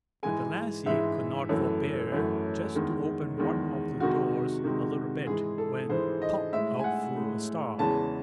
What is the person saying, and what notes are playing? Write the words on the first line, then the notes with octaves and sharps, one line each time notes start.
But the lassie could not forbear just to open one of the doors a little bit, when--POP! out flew a Star.
G#2 E3 G#3 G#5
G#2 E3 G#3 E5
F#2 E3 A3 A4
F#2 E3 A3
E2 D#3 G#3
E2 D#3 G#3
C3 D#3 G#3 F#4
C3 D#3 G#3
G#2 E3 G#3 G#4
A4
G#2 E3 G#3 C5
D#5
A2 G#3 E5
G#5
F#5
A2 G#3
E2 C#3 E3 G#3 A5